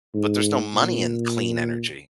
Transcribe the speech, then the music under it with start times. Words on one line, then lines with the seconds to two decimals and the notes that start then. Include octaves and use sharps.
but, there's no money in clean energy.
0.14 G#2
0.74 A#2